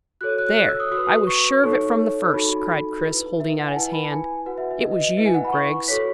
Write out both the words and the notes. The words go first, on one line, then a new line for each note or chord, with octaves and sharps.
"There, I was sure of it from the first," cried Chris, holding out his hand; "it was you, Griggs."
F#4 A4 C#5 F#6
F#6
F#6
E6
D#6
F#4 D#6
B4
C#6
D#4 A4 C#5 C#6
D#4 F#4 A4 B5
E4 B4
E5
F#5
G#5
E4 B4 A5
B5
G#5
F#4 B4 F#5
E5
E5
D#5
E4 B4 E5
G#5
F#5
B5
C#6
F#4 A4 C#5 B6